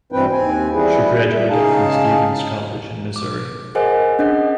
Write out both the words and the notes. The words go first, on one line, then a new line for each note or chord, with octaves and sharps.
She graduated from Stephens College in Missouri.
G2 B2 E3 C4 B4 G5
D#2 C4 G#5
E3 G3 E4 G#4 B4
G3 E5
C#3 D#4 G#4 F5 A5
D6
G#4 A#4 C5 D#5 F#5 G#5
C#4 D4 G#4 D#5 F#5